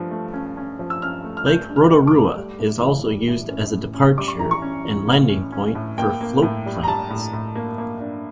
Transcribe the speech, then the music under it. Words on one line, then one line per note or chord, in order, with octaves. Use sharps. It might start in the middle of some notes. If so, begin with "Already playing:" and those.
Lake Rotorua is also used as a departure and landing point for float planes.
Already playing: G2 F3 A3
A3
C#4
C#4
F3
E6
C#4 F6
A3
F6
A3 G6
G2
F6
A3
D6
A3
G3
A2
E3
G3
A2
C#4
A2
C#4
G3 D6
C#6
E3 A#5
C#6
C#4
E3
A2
C#4
C#4
A2
A#3 G5
A#3
A2
G3
A#5
G3 A5
A2
A2
A#3
A#3
D4